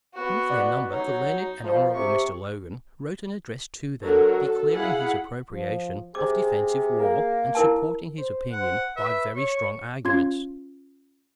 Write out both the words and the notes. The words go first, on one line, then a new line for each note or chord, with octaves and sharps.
One of their number, the learned and honorable Mr. Logan, wrote an address to them, declaring his approbation of defensive war, and supporting his opinion by very strong arguments.
B3 F#4
B2 D5 F#5
F#3 D#4
F3
C3 C#6
D3 F#3 F#4 A4 A#4
A4
E4 G#4 F5 F#5 B5
F3
C3 G#4 D6
A#3
E4 A#4 A5
C5
C5 F#5
B4 E5
C#5 C#6
C#4 F4 C6 G#6